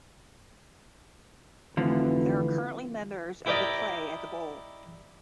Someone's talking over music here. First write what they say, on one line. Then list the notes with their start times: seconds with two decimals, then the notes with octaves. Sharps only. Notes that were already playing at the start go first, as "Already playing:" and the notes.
They are currently members of the and play at The Bowl.
1.77 F1 D3 E3 F3
3.46 E4 G4 A#4 D5 D#5